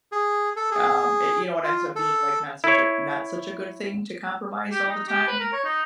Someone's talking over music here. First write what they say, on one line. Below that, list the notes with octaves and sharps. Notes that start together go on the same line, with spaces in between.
um, it you know, it ends up being, like, not such a not such a good thing to compromise all the time.
G#4
A4
G#4
F4
A4
E4 C#5
G4
D#4
G4
B4
A#4
C#5
D#4